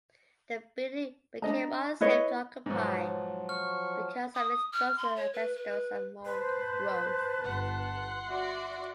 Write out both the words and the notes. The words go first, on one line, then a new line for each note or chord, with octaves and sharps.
The building became unsafe to occupy because of exposed asbestos and mold growth.
D4 D#4 D#5 A#5
E4 B4 C#5 D#5
B1 G#2 F3 F#3
C#6 F6
D#6
F6
C6
C#5
B4
B4
B4 C5 A5
G1 F#5 C6
F#4 D5 E5